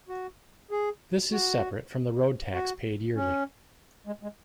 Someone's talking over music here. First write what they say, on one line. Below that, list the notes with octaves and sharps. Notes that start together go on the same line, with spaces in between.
This is separate from the road tax paid yearly.
F#4
G#4
F#4
F#4
C#4
G#3
G#3